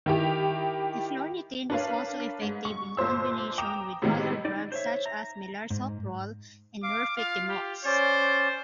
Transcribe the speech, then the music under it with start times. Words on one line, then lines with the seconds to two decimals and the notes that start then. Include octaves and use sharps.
Eflornithine is also effective in combination with other drugs, such as melarsoprol and nifurtimox.
0.06 D#3 E4 G4
1.70 D4 A#4 B4 C#5 F5
2.42 G#2
2.65 C#6
2.97 G1 A#2 C5 E6
3.58 G5 A#5 D6 D#6 E7 F7
4.02 A2 C3 D#3 G#3 B3
4.45 D#4 D5
4.72 C5 C#5 E5
5.06 A#5
5.70 G#2
6.83 F5 D6
7.17 F4 F5
7.49 G4
7.85 C#4 C5 D5